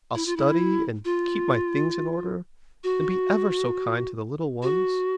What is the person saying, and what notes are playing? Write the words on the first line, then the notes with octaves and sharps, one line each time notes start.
I'll study, and keep my things in order, and be ever so kind to the little ones.
E4
F4
E4
F4
F#4
F#4